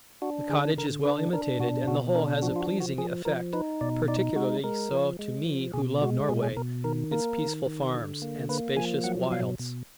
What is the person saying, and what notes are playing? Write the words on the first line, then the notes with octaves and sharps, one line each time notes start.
The cottage is well imitated, and the whole has a pleasing effect, particularly so to me who love Norway--its peaceful farms and spacious wilds.
D4 F#4
D3 G#4
D3 A#4
D4 B4
D4 A#4
B2 F#4
B2 F#4
D4 A#4
F3 F#4
F4
F#4
F3
F#4
F3 G#4
F3 A#4
D#4 B4
B2 D5
D#4 D5
G#3 F#4
G#3 A#4
F3
G#3
F3
B2 G#4
G#3 F#4
B2 G#4
G#4
B2 A#4
D#3 A#4
A#3 A#4
D#3
D#3
D3
A#3
A#3 B4
F3 G#5
F#3 F#5
B2 F5
B2